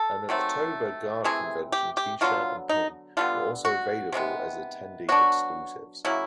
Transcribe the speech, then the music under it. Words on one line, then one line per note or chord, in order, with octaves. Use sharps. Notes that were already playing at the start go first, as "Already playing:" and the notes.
An Oktober Guard Convention T-shirt and Pin were also available as attendee exclusives.
Already playing: A4
D#3 F#3 A3 C4
C3 E3 A3 C4 G#4
G4
G4
D3 F#3 B3 F4
D#4
D3 G3 B3 F4
F#4
C3 D#3 G#3 B3
F#3 B3 D4 F#4
C#3 F#3 A#3 E4